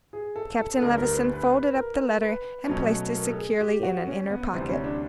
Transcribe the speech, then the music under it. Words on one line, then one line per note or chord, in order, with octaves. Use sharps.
Captain Levison folded up the letter, and placed it securely in an inner pocket.
G#4
A4
A4
A4
D2 D3 G3 A#4
A#4
B4
B4
B4
A#4
B4
B2 F#3 A3 C#4
A#4
A4
G#4
G4
F#4
C#4
B3
D2 C3 E3 G3 B3 C4
C#4
D4